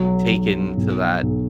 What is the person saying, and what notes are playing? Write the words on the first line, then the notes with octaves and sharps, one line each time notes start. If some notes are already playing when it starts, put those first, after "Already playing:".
take into that
Already playing: B1 F#3
F#3
B1
B1